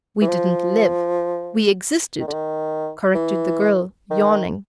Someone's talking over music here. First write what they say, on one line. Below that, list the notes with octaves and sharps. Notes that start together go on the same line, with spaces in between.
"We didn't live--we existed," corrected the girl, yawning.
E3
F3
D#3
D3
D#3
E3
D#3